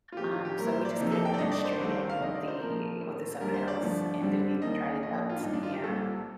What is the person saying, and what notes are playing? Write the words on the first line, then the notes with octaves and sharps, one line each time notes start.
um, so we just kinda went straight in with the with the subtitles and didn't even try the dubbed. Yeah.
F4
A2 F3 C4 G4
F4
G4
A2 G3 A#3 A#4
C5
D5
F2 C3 F3 A#3 D#4
A4
G5
D5
G2 D3 A3 D#5
D5
C5
C2 C3 D#3 A3 C4
F5
D2 C3 D#3 D#5
D5
C5
A#2 F3 A3 C4 A#4
A2 A3 C4
D#2 D3 G3 A#4
C5
D5
G2 D3 F3 A3
G2 D3 G3 C4
D#2 D#3 A#3 D#5
A2 F3 A#3 D#5
F4
D4
G2 D#3 G3 D#4
D4
F4
G4
C2 A#2 G3 C4 A4